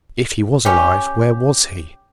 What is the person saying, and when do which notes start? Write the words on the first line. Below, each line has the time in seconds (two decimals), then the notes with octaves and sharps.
If he was alive, where was he?
0.65 C#4 G4